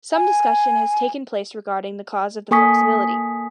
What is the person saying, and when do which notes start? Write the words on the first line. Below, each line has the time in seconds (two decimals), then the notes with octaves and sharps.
Some discussion has taken place regarding the cause of the flexibility.
0.13 G#5
2.51 A#3 A4 G#5 C#6 D#6 B6